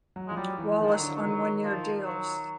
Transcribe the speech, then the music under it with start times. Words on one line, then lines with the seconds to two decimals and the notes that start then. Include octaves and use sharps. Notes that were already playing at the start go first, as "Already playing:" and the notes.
Wallace on one year deals.
0.16 F#3
0.28 F3 G#3
0.36 F#3 G3
0.58 E3
0.79 D#3 F3
0.93 F#3
1.01 D3
1.21 D#3 F#3
1.64 F3
2.06 F#3